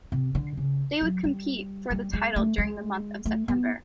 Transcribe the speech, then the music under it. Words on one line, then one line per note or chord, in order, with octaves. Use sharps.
They would compete for the title during the month of September.
C3
D3
C#3
F#3
G3
G3
G#3
A3
G#3
A3
B3